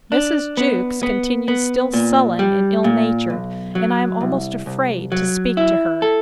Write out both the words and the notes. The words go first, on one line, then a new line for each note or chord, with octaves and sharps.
Mrs. Jewkes continues still sullen and ill-natured, and I am almost afraid to speak to her.
D4
B3
B3
B3
A#2
G3
A#2
B1
F#3
C2
C2
F#3
E4
A4